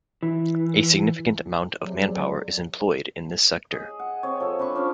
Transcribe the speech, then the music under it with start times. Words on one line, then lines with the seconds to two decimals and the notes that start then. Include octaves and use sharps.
A significant amount of manpower is employed in this sector.
0.23 E3
1.85 C3 F#3 G#4 D5
3.71 G#4 D#5
3.99 F#5
4.23 C4 C#5
4.40 F3 A4
4.59 C4 D4 B5 C#6
4.75 F3 C#4 D4